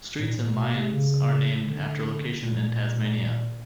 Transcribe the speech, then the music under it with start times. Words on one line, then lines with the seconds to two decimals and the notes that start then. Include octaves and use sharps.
Streets in Lyons are named after locations in Tasmania.
0.18 A2
0.28 A#2
0.37 A2
0.46 A#2
0.55 B2
0.74 C3
0.92 C#3
1.66 D3
2.41 A#2